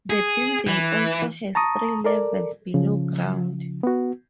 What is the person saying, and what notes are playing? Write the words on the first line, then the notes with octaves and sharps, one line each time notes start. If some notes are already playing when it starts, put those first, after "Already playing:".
The building also has three levels below ground.
G#4
E3
A5 A#5 C#6 D#6
A4 A#4 D5
C#3 F3
B3 F#4